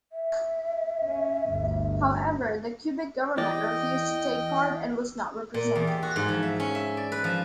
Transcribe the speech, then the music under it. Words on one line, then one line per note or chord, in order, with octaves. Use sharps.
However, the Quebec government refused to take part and was not represented.
E5
C#4
G1 D2
E2 E3 D5 D#5 G5
A#2
E2
G4
F#4
G#2
F3
E5
C#4
E5
D5
B4
F3